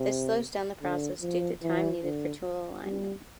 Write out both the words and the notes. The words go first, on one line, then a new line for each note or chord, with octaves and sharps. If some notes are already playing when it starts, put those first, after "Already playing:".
This slows down the process due to time needed for tool alignment.
Already playing: C3
D3
F3
E3
D3
G3